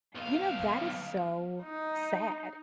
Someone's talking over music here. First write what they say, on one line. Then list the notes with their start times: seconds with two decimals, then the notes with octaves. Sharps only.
You know, that is so sad,
0.15 B1 F5
1.63 D#4